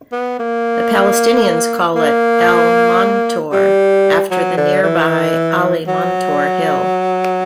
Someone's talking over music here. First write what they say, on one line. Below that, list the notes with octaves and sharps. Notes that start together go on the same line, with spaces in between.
The Palestinians call it "Al-Montar", after the nearby Ali Montar hill.
B3
A#3
A#3
G3
F#3
D3
E3
F#3